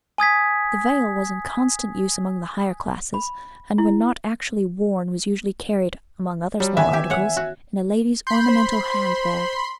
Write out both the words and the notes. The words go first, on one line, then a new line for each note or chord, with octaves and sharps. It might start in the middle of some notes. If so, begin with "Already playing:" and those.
The veil was in constant use among the higher classes, and when not actually worn was usually carried, among other small articles, in a lady's ornamental hand-bag.
G#5 D#6 G#6 B6
B5
E4
F#3 G3
D#3 E3 B3 E5 G#5
G4
C#5 F#5
F#4
B5 C6 G6
C5